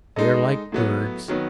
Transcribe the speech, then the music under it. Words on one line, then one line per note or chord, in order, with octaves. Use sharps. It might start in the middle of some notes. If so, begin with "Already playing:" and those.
They are like birds.
G#3 D#4 A4 D#5
A2 F#3 B3
D#3 F#3 B3